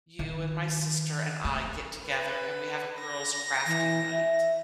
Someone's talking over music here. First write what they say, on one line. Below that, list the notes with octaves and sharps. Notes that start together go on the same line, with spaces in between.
you and my sister and I get together, and we have a girls' crafting night?"
D#3
A3
B4
A#6
E3
E5